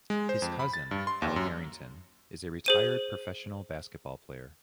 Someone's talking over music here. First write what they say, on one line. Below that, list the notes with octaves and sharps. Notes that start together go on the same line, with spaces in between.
His cousin, Al Harrington, is a retired professional basketball player.
G#3
C5
F2
B5
A6
G2
C6
D#2
F#2
G#4 C5 D#7